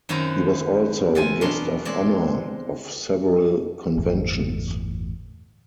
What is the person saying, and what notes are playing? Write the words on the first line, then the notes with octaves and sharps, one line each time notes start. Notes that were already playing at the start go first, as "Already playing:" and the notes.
He was also Guest-of-Honour of several conventions.
F#2 D#3 C4 E4 F#4 A#5
E2 A4 C5 G#5
B2 D4 A#4 C6
G#3 C4 D5
G1 E2 A2